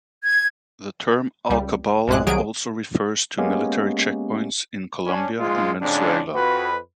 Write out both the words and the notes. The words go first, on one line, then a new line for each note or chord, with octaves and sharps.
The term "alcabala" also refers to military checkpoints in Colombia and Venezuela.
G#6
C#2 G3
A#1 F#2 A2 G#3 F#6
C2 D#3 F#3 G#4 D7
G#3 A#3 B3 C#4 G4
C#4 D4
A#1 G#2 G#3 F4
F2 G#2 C#3 D4
F2 F#4 B4